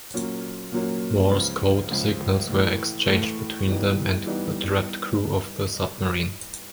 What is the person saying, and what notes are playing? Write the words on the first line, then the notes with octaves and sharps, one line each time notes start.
Morse code signals were exchanged between them and the trapped crew of the submarine.
A#2 F#3 A#3 C#4
A#2 F#3 A#3 C#4
C#2 C#3 F3
C#2 C#3 F3
A2 E3 A3
A2 E3 A3
E3 G3 B3 D#4
E3 G3 B3 D#4